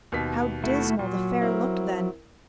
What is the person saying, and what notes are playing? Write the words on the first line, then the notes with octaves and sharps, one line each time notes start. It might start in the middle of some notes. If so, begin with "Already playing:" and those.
How dismal the fair looked then!
D#2 B2 B6
A3 E4 F#4
A#2 F#3
C4 E4 A#4